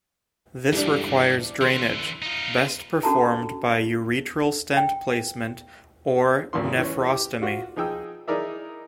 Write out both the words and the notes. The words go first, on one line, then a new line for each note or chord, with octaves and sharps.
This requires drainage, best performed by ureteral stent placement or nephrostomy.
C#2 G2 E3 G3 D4
D3 E3 C6
D#4 F4
C#4 D4 F#4 A4 A5 A#5
G5
G#1 D2 A#2 C#3 E4 C6
E3 C#4
G4
F4 F#4
F3 D#4 G#4 G5 E6
D#4 E4 G#4 A#4 D5 E5